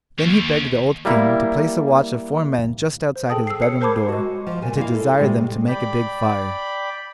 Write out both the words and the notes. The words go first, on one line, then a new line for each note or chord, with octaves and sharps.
Then he begged the old King to place a watch of four men just outside his bedroom door, and to desire them to make a big fire.
D#2
G3 A#3 E4
C5
G#4 A4 G5 A5 D#6
E6 C7
C#5 C7 C#7
A#4 C5 A5 B5 D6 G#6
G#3 F#4
F3
A#2 G#5
A#3 E4 F5
A4
A2 C3 G3 G#3
D5 G5 B5